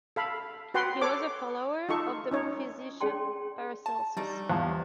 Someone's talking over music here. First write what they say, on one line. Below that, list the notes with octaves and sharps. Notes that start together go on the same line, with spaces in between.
He was a follower of the physician Paracelsus.
A4 F5 B5
F#4 B4 F#5 G5 C6
A4 C#5 D6
D#4 F4 A4 C#6
C#4 D#4 C#5
C#4 G#4 D5 G5 A5 C6
A5
G3 A3 D4 D#4
E2 F3